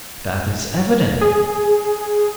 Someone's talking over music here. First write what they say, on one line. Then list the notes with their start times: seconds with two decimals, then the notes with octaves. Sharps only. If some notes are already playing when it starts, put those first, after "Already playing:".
That is evident.
1.21 G#4